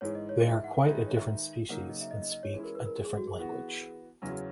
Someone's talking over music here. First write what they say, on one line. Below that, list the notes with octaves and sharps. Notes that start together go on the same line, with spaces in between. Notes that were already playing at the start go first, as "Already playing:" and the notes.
They are quite a different species, and speak a different language.
G#2 E3 G#3 C#5
D#5
C#5
D#5
E5
F#5
F#5
D#3 G#3 D#4 G#4 B4 E5
C#5
E5
C#3 F#3 A#3 D#4 A#4 F#5
D#5
E5
D#5
D#5
D#5
C#5
E3 G#3 C#4 E4
A#4
B4
A#4
G#4
G#4
F#4
G#4
E3 B3 F#4
E2 C#3 F#3 C#4
F#4